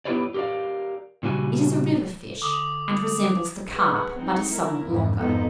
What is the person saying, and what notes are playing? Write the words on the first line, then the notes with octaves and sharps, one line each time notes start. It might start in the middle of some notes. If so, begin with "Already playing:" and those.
It is a river-fish, and resembles the carp, but is somewhat longer.
B3 E4 G4 B4 C#5 D5
G4 A#4 B4 D5 F5
A#2 C#3 G3 F#4 C5 G#5
D3 D6 D#6
G#4 B4 F#5
C4 D#4
E4 A#4
F2 G#2
F2 G#2 B3 D#4 A4